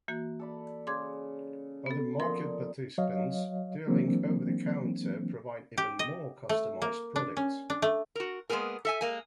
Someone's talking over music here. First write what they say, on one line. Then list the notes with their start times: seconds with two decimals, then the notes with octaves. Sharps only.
Other market participants dealing over the counter provide even more customized products.
0.08 E3 A#3 F#4
0.39 A4 D5 B5
0.87 C#3 C6 D6 G#6
1.86 B3 A4
2.20 A#2 D3 F3 D#4 A#4 C6
2.98 F#3 C#5 D#5 F5
3.87 E3 F#3 A#3 C4 D4
5.78 G4
5.99 D#5
6.49 A3
6.82 A#3
7.16 D4
7.37 C#4
7.70 D4
7.82 A3
8.15 F#4 A#4
8.50 G#3 A#3 B3 G#4 A#4
8.85 A4 E5 G#5
9.01 G#3 A#3 G#5